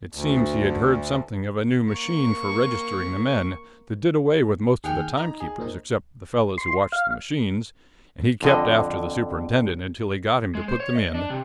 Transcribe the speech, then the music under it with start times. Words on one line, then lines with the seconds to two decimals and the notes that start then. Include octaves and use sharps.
It seems he had heard something of a new machine for registering the men, that did away with most of the timekeepers except the fellows who watched the machines, and he kept after the Superintendent until he got him to put them in.
0.13 D2
1.91 A#3 C#6
4.84 D#2 G#4 F#5 G5 F6
5.17 D#4 A#5
5.40 G#4
5.58 A#2 C4 D#4
6.58 C6
6.92 F5
8.43 F2 D3 D#5
10.55 G#3
10.68 C5
10.80 C#5
10.96 D#5
11.15 D4
11.30 C3